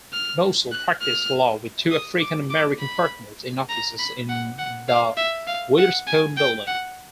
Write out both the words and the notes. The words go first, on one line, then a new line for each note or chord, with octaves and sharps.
Mossell practiced law with two African-American partners in offices in the Witherspoon Building.
F6
F#6
F6
D#6
D6
D6
B5
A#5
B5
F#5
F#5
F5
E5
F5
F#5
G#5
G5
F#5